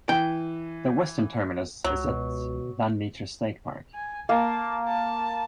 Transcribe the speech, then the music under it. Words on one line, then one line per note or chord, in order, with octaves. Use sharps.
The western terminus is at Van Meter State Park.
E3 G5
C#2 F#3
B2
G#5
A#3 A5
A5